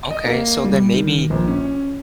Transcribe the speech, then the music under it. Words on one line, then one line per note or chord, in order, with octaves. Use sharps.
Okay so, then maybe
D#5
A#3
G3
D#3
A#1
C#4